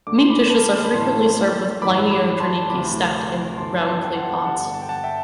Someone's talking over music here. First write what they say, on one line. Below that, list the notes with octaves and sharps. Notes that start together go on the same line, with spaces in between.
Meat dishes are frequently served with bliny or draniki stacked in round clay pots.
D2 D3 D6
C6
B5 D6
A5 C6
A5
B5
A1 A2 E3 A5 C6
A1 G2 E3 B5 D6
B5 D6
A5 C6
D2 C3 E3 B5 D6
G1 F#2 E3 A5 C6
A5 C6
G5
F#5 A5
G1 G2 D3 F#5 A5
A5
G5
F#5 A5
E5 G5